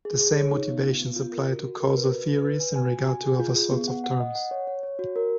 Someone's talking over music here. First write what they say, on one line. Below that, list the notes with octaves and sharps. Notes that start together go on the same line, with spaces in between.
The same motivations apply to causal theories in regard to other sorts of terms.
G#4
G#4
C#5
D#4
B3
F4
B3
F4
A#4
F#4
F#4
A#4
B4
F#4
B4
B4
G#5
G#5
F#4
G#5
G#4
F4
G#4
B3
F#5
F#5
D#5
F#5
C#5
C#5
C#5
F#4
A#4